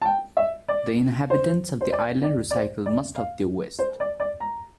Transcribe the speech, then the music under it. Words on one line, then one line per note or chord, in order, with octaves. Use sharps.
The inhabitants of the island recycle most of their waste.
A5
G5
E5
D5
C5
C5
D5
D5
D5
C5
D5
F5
C5
D5
D5
A#5